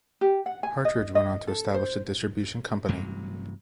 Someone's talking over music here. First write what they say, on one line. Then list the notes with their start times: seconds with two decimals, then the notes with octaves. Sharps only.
Hartridge went on to establish a distribution company.
0.21 G4
0.46 F#5
0.63 G#5
0.85 D#5
1.15 D#5
1.47 A4
1.74 C5
2.88 A1 G2 C3 F#3